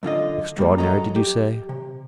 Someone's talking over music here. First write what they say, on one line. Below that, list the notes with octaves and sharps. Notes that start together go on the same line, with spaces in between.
"Extraordinary, did you say?"
F#2 D3 F4 D#5
C2 G3 A#3
F#2 F#3 A4 D#5 A#5
G4
C3